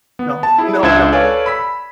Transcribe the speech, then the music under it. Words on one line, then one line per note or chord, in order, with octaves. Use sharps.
No, no, no.
B3
A5
E4 G#4
C#2 D4 E5 G#6 E7
A4 B4 C#5 D5 F5 G#5
B5 E6 B6